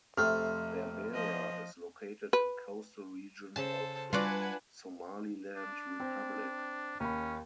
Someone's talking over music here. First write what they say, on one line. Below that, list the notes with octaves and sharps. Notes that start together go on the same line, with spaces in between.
Berbera is located in coastal region of Somaliland Republic.
F2 C3 A3 F6
F3 D#5
B4
C#3 A4 C5 A5
G3 D4 F4 F#4 B4 D5 F#5 G#5
D4
C4
D#2 C#4 B5